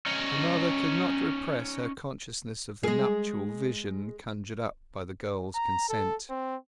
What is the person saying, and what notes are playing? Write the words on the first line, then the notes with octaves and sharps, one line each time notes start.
Her mother could not repress her consciousness of the nuptial vision conjured up by the girl's consent.
C#4 D#4
G#3 G#4
A#5
A4
C4